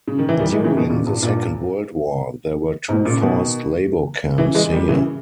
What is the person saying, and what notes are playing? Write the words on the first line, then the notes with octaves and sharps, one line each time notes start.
During the Second World War, there were two forced labor camps here.
C#3
D#3
E3
D#3 G3
E3 G#3
D#3
C#3 E3
B2 D#3
A#2 C#3
G2 A#2
G2 A#2
G#2 B2
A#2 C#3
B2 D#3
C#3 E3
E3 G#3
D#3 G3
C#3 E3